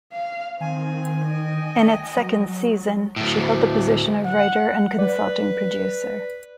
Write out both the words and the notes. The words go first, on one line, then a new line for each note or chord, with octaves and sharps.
In its second season she held the position of writer and consulting producer.
F5
D#3 C4 G#5
D#5 G5
F#3
D2 A2
F#5
B4 D5